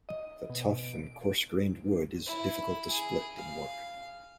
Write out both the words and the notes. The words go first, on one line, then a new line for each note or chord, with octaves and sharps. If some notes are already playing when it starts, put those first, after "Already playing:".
The tough and coarse-grained wood is difficult to split and work.
D#5
B2
D7
E4
G#4
F5